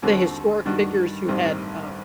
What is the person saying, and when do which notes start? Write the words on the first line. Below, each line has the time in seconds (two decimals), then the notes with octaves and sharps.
the historic figures who had, um,
0.02 D#2 D3 G3 C4 F#4
0.65 G2 D#3 G3 D4 F#4
1.28 A1 G2 D#3 G3 C4